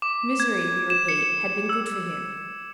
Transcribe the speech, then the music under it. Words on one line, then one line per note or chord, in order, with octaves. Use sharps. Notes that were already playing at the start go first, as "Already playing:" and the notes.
Misery, we repeat, had been good for him.
D6
G#6
E7
C#7
E6